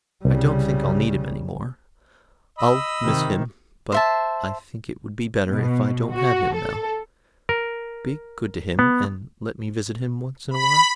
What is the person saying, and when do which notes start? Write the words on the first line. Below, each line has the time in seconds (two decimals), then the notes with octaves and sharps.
"I don't think I'll need him any more. I'll miss him, but I think it would be better if I don't have him now. Be good to him, and let me visit him once in a while."
0.25 C2 C#3 G3
2.58 D#5 B5 E6
3.01 C3 D#3
3.92 C5 E5 A5
5.49 B2
6.13 F#4
6.55 A4
7.49 A#4
8.79 B3
10.51 B5